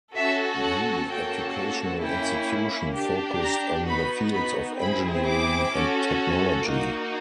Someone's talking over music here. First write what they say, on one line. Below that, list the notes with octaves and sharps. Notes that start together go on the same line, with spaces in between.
The educational institution focused on the fields of engineering and technology.
C#4 F#4 A4 E5
F#5
A#3 C#4 F#4 A4 G5
A#3 C#4 E4 G5
D4 G4
A#5
B3 D#4 F#4 B5
B5
C4 E4 G#4 B5
D6
C#4 F#4 A4
A#3 D#4 F#4